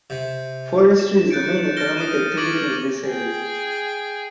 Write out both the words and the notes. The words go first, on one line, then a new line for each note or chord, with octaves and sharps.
Forestry is the main economic activity in this area.
C3
E7
F#6 G6 A6 C#7 D7
F6 A6 A#6 D7 E7 G7
D#6 A6 D#7
C#6 D6 G#6 A6 D7 F#7
G#4 G5